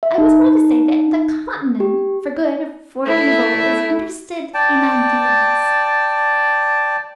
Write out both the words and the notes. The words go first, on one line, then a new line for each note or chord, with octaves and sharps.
I was going to say that the Continent, for good or for evil, is interested in ideas.
E5
D#4
G4
A3 E4
D5 G5 A5